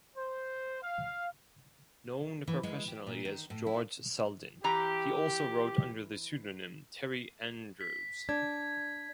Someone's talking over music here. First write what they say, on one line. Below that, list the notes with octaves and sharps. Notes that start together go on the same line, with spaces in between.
Known professionally as George Selden, he also wrote under the pseudonym Terry Andrews.
C5
F5
E3
G#3
G4
A#2
D#3
A2
E4
E3 G4 A#5
B6
D4 G#6